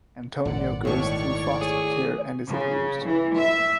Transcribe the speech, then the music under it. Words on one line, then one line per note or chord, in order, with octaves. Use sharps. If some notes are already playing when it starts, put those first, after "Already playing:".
Antonio goes through foster care and is abused.
G#1 A#2 D3 D5 F#5
D#2 A2 C#5 D5 C#6
G#4
C#3
E3
E5